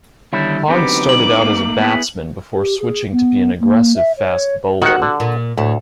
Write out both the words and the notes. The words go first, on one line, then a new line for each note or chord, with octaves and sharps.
Hogg started out as a batsman before switching to be an aggressive fast bowler.
D3 D#3 G3 E4 C#5
D3 F#3 B3 C4 D#4 G4 B4 D6
F#7
A3 A#3
B3 E4 G#4
G4
G#4
B3
A#3
E5
C#5
D#3 F#4 F#5
D3
A#2
D2 A2